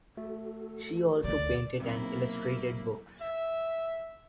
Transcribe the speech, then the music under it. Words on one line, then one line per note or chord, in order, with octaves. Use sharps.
She also painted and illustrated books.
A3 F#4 A4
D2 C#3 D5
B1 F2 C3 A#3 E4
E5